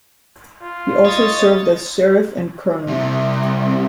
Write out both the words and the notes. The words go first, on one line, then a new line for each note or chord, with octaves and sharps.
He also served as sheriff and coroner.
F4
C#5 D#5 A6
C2 C3